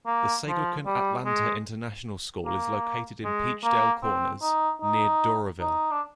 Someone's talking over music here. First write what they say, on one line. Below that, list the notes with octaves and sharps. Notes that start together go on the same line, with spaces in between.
The Seigakuin Atlanta International School is located in Peachtree Corners, near Doraville.
A#3
F3
G3
G#3
A#3
G#3
A#3
C4
D#4
D#4
D#4
D4